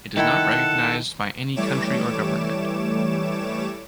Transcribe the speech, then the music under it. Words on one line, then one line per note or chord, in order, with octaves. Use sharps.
It is not recognised by any country or government.
D#3 E4 A4 F#5
E3 G3 A3 C#5 D6 E7